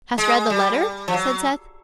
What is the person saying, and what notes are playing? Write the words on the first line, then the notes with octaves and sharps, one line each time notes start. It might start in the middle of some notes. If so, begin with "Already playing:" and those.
"Hast read the letter?" said Seth.
G#3
G3
F3
F#3